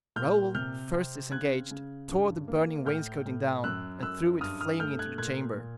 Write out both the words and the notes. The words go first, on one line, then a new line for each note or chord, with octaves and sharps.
Raoul, first disengaged, tore the burning wainscoting down, and threw it flaming into the chamber.
A#2 F6 G6
C3 F6 G6
C4
C#3 F#6 G#6
C#3
G2
A#3
A2 F6 G6
A2
F#2 E6 F#6
F#2 E6 F#6
G2 D#6 F6
D#6 F6
A3 F6 G6
F#6 G#6
A#2 F#6 G#6
A#2